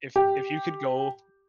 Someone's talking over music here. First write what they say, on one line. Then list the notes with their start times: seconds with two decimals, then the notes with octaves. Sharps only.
if if you could go
0.16 G4